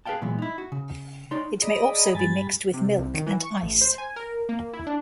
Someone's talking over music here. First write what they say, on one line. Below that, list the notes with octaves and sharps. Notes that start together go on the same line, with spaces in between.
It may also be mixed with milk and ice.
G#4 B4 D5 F5 G5 A5
A#2 E3 F#3 G#3 B3
D#4 E4
F#4
C#3
D#4 C#5 D5 C6
G#4 D5 D#5 A#5 B5 D#6
G2 G3 G#5 B5 A6
C3
C2
D#3
E3
C#6
A1
C5
G#5
A#4
A#3
E4
D4